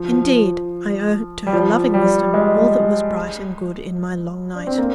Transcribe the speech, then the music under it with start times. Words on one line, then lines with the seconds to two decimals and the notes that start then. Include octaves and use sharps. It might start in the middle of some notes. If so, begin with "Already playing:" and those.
Indeed, I owe to her loving wisdom all that was bright and good in my long night.
Already playing: F3
0.12 F3
1.47 G3
1.53 F3
1.94 G3
2.34 G#3
4.55 D4
4.67 C4
4.78 A#3